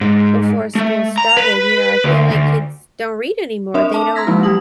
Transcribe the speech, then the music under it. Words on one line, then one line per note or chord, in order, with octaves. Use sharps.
before school started, you know, I feel like kids don't read anymore, they don't
G#2
A3
A#5
B4
D2
D2
C4 D4 A#4 C#5 D#5 E5
E5 A5 D6
A#5 C6 E6 G#6 A#6 B6
F3 G#3 A#3 D#4 E4
F#3 G4 D#6 F#7